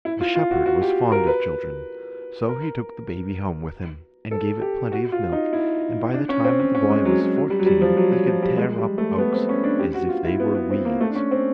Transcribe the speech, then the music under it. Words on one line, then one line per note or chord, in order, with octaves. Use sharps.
The shepherd was fond of children, so he took the baby home with him and gave it plenty of milk, and by the time the boy was fourteen he could tear up oaks as if they were weeds.
E4
F4
F4
F#4
F#4
G4
A#4
B4
A#4
A4
G4
F#4
F4
D#4
E4
D4
C#4
C4
C#4
C#4
G#3
F#3
F#3
F#3
G3
F#3
G3
F3
F#3
F#3
F3
G3
G#3
G3
A3
B3
C4
C#4
D4
G4
F#4
F4
E4
B3
B3
C4
A#3
A3
D4
C#4
C4